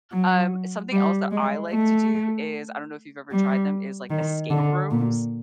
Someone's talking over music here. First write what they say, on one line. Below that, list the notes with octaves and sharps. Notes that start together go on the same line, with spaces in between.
Um, something else that I like to do is I don't know if you've ever tried them is like escape rooms.
F#3
G3
G#3
A3
G3
D#3
D3
A#2